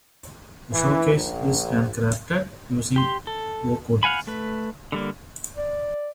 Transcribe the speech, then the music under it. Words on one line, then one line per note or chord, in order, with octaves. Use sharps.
The showcase is handcrafted using oak wood.
E3
A#1
G4 C6
A4
F5 F#5 G#5 B5
A3 B4
D3 G3 A#3
D5